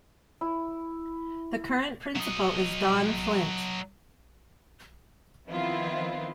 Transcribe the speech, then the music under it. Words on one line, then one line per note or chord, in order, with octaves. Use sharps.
The current principal is Don Flynt.
E4
F#3 D#5
D#3 F3 B3 C4 E4 F4